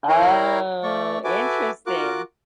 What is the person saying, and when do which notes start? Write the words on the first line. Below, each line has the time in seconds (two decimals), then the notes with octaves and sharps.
Oh, interesting.
0.09 E4 A#4 C#5 A#5 C6
0.83 A3 D5 C#6
1.24 F#4 A4 B4 E5 G#5 D6
1.86 F4 F#4 A#4 D6 F#6